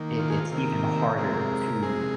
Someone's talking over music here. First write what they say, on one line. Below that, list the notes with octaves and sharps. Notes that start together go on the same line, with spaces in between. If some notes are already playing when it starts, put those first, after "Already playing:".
it it's even harder to,
Already playing: D#3 A#3
F4
G#4
F4
C3 D#3 A#3 A#4
A#4
C3 G#3 A#4
C3 G#3 G#4